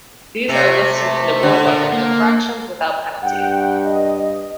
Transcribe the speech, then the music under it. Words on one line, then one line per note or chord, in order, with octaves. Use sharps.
These are listed in the rule book as infractions without penalties.
C3 A4 E5
D3
A#4 D5
A#3
G2 F#5 G5
D#5